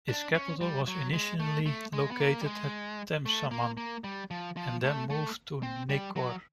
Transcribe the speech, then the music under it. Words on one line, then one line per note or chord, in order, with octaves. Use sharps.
Its capital was initially located at Temsaman, and then moved to Nekor.
D4
C#4
G3
F#3
G#3
A3
A3
G#3
B3
A#3
G3
G#3
A3
A#3
A#3
G3
F3
F3
A3
A3
C4
G3
F#3